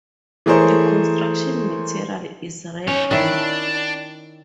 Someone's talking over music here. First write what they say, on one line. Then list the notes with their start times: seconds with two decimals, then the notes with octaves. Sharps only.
The construction material is red brick.
0.46 E3 A3 G#4 A#4 C5 C#5
2.88 C#4 D#4 C#5
3.11 D#3 D4 E4